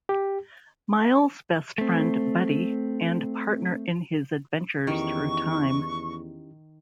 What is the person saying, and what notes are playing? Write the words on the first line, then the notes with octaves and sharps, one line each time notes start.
Miles' best friend, buddy, and partner in his adventures through time.
G4
A3 C4
E2 D#3 C#4 E4 G4 C#6